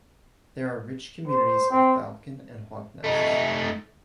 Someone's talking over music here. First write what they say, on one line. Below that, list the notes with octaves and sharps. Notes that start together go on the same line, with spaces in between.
There are rich communities of falcon and hawk nests.
C5
C4
A3 D#4